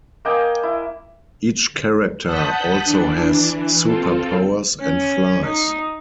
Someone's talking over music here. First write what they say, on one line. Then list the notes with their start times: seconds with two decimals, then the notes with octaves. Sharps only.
Each character also has super powers and flies.
0.25 A#3 D#5 G5 G#5
0.63 E4
2.25 F#5 A5 D#6 F#6 G6 B6
2.84 E3 D4
3.51 E3
3.84 C4 F4 A4
4.82 C#4
5.46 D#4